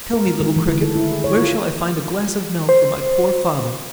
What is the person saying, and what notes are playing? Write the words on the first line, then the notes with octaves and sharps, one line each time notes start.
"Tell me, little Cricket, where shall I find a glass of milk for my poor Father?"
A#4
G#3
D#3
E3
D3
A4
E4
G#4
C#5
F4
C5